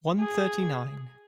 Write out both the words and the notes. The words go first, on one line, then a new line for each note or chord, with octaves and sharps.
One thirty-nine.
G#4